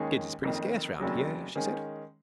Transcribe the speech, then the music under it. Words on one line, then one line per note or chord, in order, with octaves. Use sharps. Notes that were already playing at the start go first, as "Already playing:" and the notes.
"Kids is pretty scarce round here," she said.
Already playing: D#2 D#3 G#3 C#4 G#4
F#1 F2 D#3
F1 D#2 C#3 F#3
D#3 G#3 C#4